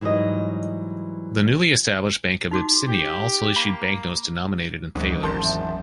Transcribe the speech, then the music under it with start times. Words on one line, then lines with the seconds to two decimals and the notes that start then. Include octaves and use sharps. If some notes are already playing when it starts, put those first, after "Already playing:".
The newly established Bank of Abyssinia also issued banknotes denominated in thalers.
0.01 G#2 E3 F#3 G3 D#5
2.51 D#4 F#4 D6
2.88 G4
3.56 A#3 B5
4.95 D2 G#2 E3 F#3 C#4
5.23 G#1 A#4 A5 C6 G6
5.43 E2